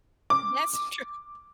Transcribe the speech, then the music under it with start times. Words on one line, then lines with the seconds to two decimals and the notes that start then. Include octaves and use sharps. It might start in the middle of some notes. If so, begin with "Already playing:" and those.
that's true,
0.30 D6